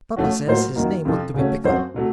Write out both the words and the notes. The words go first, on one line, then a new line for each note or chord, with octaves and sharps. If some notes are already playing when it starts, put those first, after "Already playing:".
"Papa says his name ought to be Pickle."
F3 A3 C#4 F#4
A2 F#3 A#3 F4 C5
F#2 D#3 F#3 A#3
F2 C3 F3
C#3 F#3 A3 C#4
F#2 F3 C4 F#4 C5
C3 F#3 A3